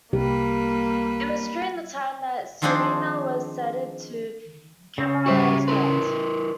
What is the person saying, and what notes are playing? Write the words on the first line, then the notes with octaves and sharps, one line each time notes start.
It was during this time that Siruma was ceded to Camarines Norte.
C2 G3 A#3 G4 B4
D#3 F3 C4 D4 G#4 C5
C#3
G3 F#4 G4 C5 E5 C#6
E4 A#4 B4 C6